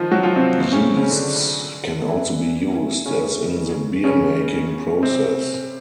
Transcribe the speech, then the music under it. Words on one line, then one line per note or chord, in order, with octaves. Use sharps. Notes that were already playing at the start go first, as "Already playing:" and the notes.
Yeasts can also be used, as in the beer-making process.
Already playing: D#3 F3 F4
F#3 F#4
F3 F4
C3 C4
C3 C4
C#3 C#4
C#3 C#4
D3 D4
E3 E4
C#3 C#4
C#3 C#4
C3 C4